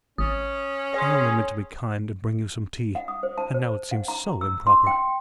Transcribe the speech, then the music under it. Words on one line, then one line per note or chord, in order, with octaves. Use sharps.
I only meant to be kind and bring you some tea; and now it seems SO improper.
G#1 C#4 D#6
G#4 C#5 C6
F#5
D#6
C5
A5
C5
F#5
A#5
G4
E6
C6
G5